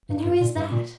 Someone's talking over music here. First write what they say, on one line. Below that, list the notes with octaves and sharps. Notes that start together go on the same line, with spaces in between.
And who is that?
G2
G2
A#2
G2
A#2